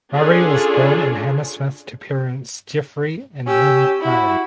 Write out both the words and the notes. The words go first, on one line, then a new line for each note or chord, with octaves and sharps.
Murray was born in Hammersmith to parents Geoffrey and Lynne Murray.
C#4 D4 F4 G#4 A4
C#4 G4 E6
E4 F#4 B5